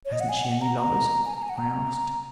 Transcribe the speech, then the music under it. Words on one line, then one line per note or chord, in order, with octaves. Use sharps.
"Hasn't she any lovers?" I asked.
C#5
D#5
F#5
G#5
F#5
A#5
A#5
G#5
A#5
G#5
F#5
A#5